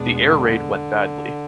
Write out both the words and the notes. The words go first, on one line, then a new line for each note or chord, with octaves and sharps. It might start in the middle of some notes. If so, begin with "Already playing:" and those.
The air raid went badly.
Already playing: E2 B2 G#3 B3 D4
D3